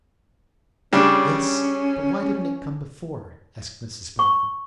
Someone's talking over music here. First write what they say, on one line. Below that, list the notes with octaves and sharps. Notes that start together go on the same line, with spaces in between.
'Yes; but why didn't it come before?' asked Mrs Boffin.
C#3 G3 C#4 D4
C#6